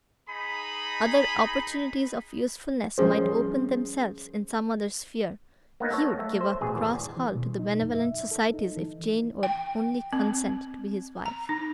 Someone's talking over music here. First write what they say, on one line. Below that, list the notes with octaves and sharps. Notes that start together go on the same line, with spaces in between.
Other opportunities of usefulness might open themselves in some other sphere; he would give up Cross Hall to the benevolent societies if Jane would only consent to be his wife.
D#4 G#4 B5
F3 G3 C#4 G#4 C5
A#3 B3 D#4
A4 C#5
A3
C5
A1 B2 G#4
G#1 E2
E3
B2
D#4
F#2
E5
A4
D#4
E3
G5
C4
A#5
D#4